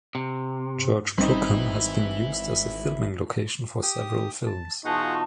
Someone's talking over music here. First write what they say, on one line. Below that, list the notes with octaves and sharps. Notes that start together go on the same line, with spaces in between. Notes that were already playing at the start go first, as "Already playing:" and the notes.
Church Crookham has been used as a filming location for several films.
C3
G#1 G3 A#3 C4 C#4 D#4 E4 B4
G4 D#6
A5
B2 E3 D#4 F4 G#4 F#5 A5 C#6